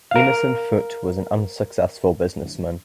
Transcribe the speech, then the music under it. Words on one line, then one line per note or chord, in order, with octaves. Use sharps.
Emerson Foote was an unsuccessful businessman.
A#4 F5